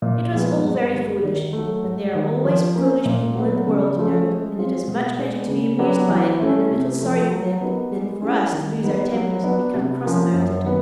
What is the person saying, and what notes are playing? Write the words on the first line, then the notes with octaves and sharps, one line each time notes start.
It was all very foolish, but there are always foolish people in the world, you know, and it is much better to be amused by it and a little sorry for them, than for us to lose our tempers and become cross about it.
A#2
F3 G#3 B3
G2
D3 G3 A#3
D#3
F#3 A3
G#2
D#3 G3
F3
A#3 C#4
A#2
F#3 B3
C#3
F3 A3 C#4
G#3
C4 F4 G#4
B2
G#3 B3 D4
C#3
F#3 B3 D4 G4
E3
A3 C#4 E4
C3
F3 A3
F#3
B3 D#4 G4 A#4
G#3
C#4 E4 G4
D#3
G3 B3 D#4
F#3
B3 D4
C3
F3 A#3 C#4
F#2
D#3 F#3 B3